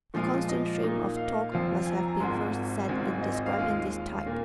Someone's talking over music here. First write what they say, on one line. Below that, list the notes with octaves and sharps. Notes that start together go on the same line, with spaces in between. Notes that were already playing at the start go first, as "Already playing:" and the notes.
"A constant stream of talk" must have been first said in describing this type.
A#2 F3 G#3 F4
D#5
A#2 A#3 D#4
F5
F2 F3 C4 F4
G#5
A#5
A#5
G#1 G#2 D#3 G#3 F4 C6
G#1 G#2 G#3 C4 F4 G#5
D#5
D#5
F5
D#2 D#3 G#3 F4
A#2 A#3